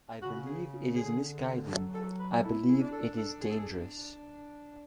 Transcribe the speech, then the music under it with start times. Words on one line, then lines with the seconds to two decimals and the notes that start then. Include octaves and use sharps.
I believe it is misguided. I believe it is dangerous.
0.22 C#3 F#4
0.47 G#4
0.95 D3 G#4
1.69 F#3 A4
1.94 A4
2.19 B4
2.43 E4 A4
2.68 G#4
2.81 D4
2.92 A4
3.17 A4
3.41 G#4
3.50 A4
3.58 G#4